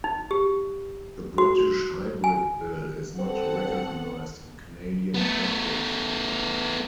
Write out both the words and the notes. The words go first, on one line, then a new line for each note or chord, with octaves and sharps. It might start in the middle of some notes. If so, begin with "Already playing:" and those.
The British hybrid bill is not recognized in Canadian practice.
D#4
G4
F#4
G#5
C4 A4 F#5
A3 B3